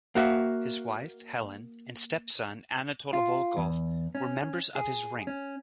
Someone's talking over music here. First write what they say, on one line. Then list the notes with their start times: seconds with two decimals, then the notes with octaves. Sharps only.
His wife, Helen and stepson, Anatole Volkov, were members of his ring.
0.15 A#3 F#4 E5
3.13 F4
3.57 E2
4.15 C#4
4.75 G#4
5.27 C#4